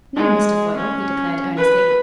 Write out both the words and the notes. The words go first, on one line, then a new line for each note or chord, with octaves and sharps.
"No, Mr. Foyle," he declared earnestly.
G#3
C#4
B4